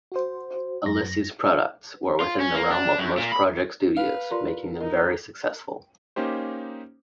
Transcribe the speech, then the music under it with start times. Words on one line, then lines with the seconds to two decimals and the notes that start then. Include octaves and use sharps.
Alesis' products were within the realm of most project studios, making them very successful.
0.12 F#4 C5
0.86 F#2 A#6
2.20 F4
2.40 C#4
2.54 A#3
2.70 D4
2.98 F#2
3.18 A#2
3.32 B5
3.97 B4 F5
4.31 F4 G4 A#4 D5 A#5 C6
4.81 D#4 A#4 D#5
6.16 A#3 C#4 D#4 G4 C5